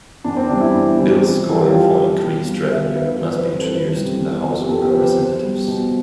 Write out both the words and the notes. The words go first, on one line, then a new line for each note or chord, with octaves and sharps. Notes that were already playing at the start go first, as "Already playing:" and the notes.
Bills calling for increased revenue must be introduced in the House of Representatives.
E2 D4
C4
C3 E3 G3 D4
E4
E2
C3 E3 G3
F2
E3 G3 A4
G4
F2 F4
E3 G3
B2
G3
B2 E5
G3 B4
F2 C5
B4
C3 E3 G3 C5
A4
F2 B4
C3 E3 G3
E2
C3 F3
G4
E2 A4
G4
C5
C3 F3 B4
C5
B2 C5
G3
B2